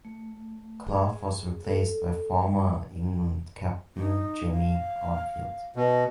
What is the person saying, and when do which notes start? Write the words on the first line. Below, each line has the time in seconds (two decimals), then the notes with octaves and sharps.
Clough was replaced by former England captain Jimmy Armfield.
0.05 A3
0.88 G#4
1.65 A4
2.43 G3
3.96 D#4
4.52 F5
5.76 B2 D#5